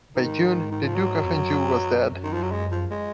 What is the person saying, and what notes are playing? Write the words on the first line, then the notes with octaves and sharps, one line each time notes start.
By June, the Duke of Anjou was dead.
G#2 D#3
D#3
F3
F#3
F2
F#2
F#2
D#3
F3
F#3
G#3
F3
G#3